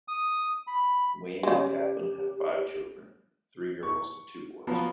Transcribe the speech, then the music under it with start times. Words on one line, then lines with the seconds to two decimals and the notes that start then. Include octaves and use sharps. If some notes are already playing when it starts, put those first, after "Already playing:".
Wayne and Kathlyn have five children, three girls and two boys.
0.08 D#6
0.67 B5
1.43 C#3 G#3 G4
3.83 C#6
4.67 F3 F#3 B3 F4